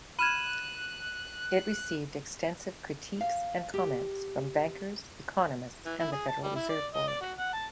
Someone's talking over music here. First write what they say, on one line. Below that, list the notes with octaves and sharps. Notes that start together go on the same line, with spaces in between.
It received extensive critiques and comments from bankers, economists, and the Federal Reserve Board.
B5 F6 F#6 G#6 D#7 E7
F5
G4
E3
E4
G#4
A5
G3
E4
D5
D#5
D5
F#4
F#5
A5